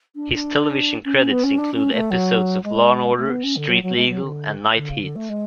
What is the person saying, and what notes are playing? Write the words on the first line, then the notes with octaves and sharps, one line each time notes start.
His television credits include episodes of "Law and Order", "Street Legal" and "Night Heat".
D4
D4
C#4
C#4
B3
C#4
D4
C#4
A3
F#3
G#3
A3
B3
C#4
D3
F#3
F#3
G#3
F#3
D3
D3
C#3
D3
A3
G#3